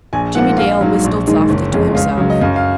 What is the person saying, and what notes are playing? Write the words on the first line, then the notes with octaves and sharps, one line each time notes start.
Jimmie Dale whistled softly to himself.
A#1 G#5
G#2 F3 A#3 F#5
A#1 F5
G#2 F#3
A#1
G#2 D#3 G#3
F#1
F2 C#3 G#3
C#2 F5
C#3 F#3
D#5
F#2 F5
F5